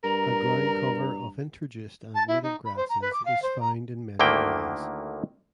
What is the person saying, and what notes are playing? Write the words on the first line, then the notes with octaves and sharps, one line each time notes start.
A ground cover of introduced and native grasses is found in many areas.
G2 A#4 A#5
A5
E4
D#4
B5
C5
A#5
B4
D6
F5
C5
A#5
D2 D3 D#3 A#3 E4 G5